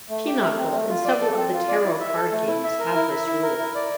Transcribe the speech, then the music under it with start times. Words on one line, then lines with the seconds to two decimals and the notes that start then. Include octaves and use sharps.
Pinochle and several of the Tarot card games have this rule.
0.09 A3
0.26 G4
0.41 A3
0.58 C4
0.73 A3
0.89 F4
1.05 D5
1.21 A4
1.36 C4
1.53 F4
1.68 D5
1.84 E4
2.00 E5
2.16 A4
2.32 A3
2.48 E4
2.64 E5
2.79 A#4
2.95 E4
3.11 E5
3.27 E4
3.43 A#4
3.58 E4
3.75 D5